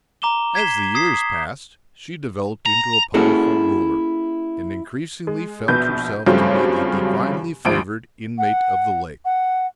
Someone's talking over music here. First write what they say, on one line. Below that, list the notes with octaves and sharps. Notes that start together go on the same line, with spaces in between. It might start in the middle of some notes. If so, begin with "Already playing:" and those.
As the years passed she developed into a powerful ruler, and increasingly felt herself to be the divinely-favoured inmate of the lake.
A#5 D6 E7 G7
G#6 B6 C7 E7 G7
D#6 G#6 B6 C7
A#5
A#3 C#4 E4 F#4 G#4 A4
G#3
A#1 B2 B4 G6
G2 C#3 F3 F#3 A3 C4
G#1 D2 F3 D7
F#5
F#5